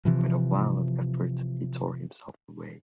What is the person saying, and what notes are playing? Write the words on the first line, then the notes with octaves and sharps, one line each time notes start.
And with a violent effort he tore himself away.
C3 E3 F3